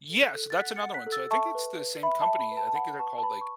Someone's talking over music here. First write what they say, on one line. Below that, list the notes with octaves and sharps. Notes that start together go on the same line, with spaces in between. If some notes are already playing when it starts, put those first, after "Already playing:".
Yeah, so that's another one, so I think it's the same company, I think that they're called, like
A4
F#6 B6
A4
A6
F#5 F#6 B6
A6 C#7
F#5
F#6 B6
A4
E6 A6
E5 A5 C#6
B4
B4
E5 B5
A5
E5
B5
B4
A5
A5
F#5 B5
B4 A5 C#6
A5
B4 B5
C#6